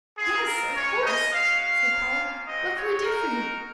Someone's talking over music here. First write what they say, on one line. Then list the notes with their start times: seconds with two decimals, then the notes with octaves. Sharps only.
"Yes, of course," said Paula; "What can we do for you?"
0.17 C4 F4 G#4
0.46 A#4
0.75 G#3 C#4 F4 C#5
1.04 D#5
1.32 G#3 C#4 F#4 F5
1.60 F5
1.89 A#3 C#4 F4
2.46 G#3 C4 D#4 F#4 D#5
2.75 C#5
3.03 G#3 D#4 F#4 A#4